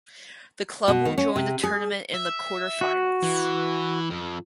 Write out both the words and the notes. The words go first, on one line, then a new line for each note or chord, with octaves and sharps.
The club will join the tournament in the quarterfinals.
B2
D#3
C#4
C3
G#4
E5
F#4
E3
F2